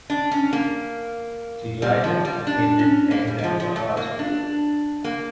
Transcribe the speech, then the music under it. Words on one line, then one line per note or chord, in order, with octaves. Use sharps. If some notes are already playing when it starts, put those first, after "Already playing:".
She later attended Andover High School.
D4
C#4
A#3
G3
F3
G3
D4
C#4
A#3
G3
G3
F3
F3
A3
A#3
D4
A#3